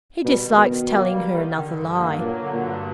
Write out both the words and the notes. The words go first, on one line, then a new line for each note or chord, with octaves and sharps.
He dislikes telling her another lie.
B2 G3
D#3
B2
D#3
A#3
G3
D#3
D3
G2
A#3
A#2 F#3
D3
A#2
G2